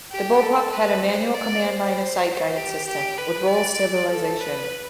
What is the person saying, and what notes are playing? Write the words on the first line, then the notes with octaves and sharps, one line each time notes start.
The Bullpup had a Manual Command Line Of Sight guidance system with roll-stabilization.
G4
A4
B4
C5
D5
C5
G4
G4
B4
D5
A4
B4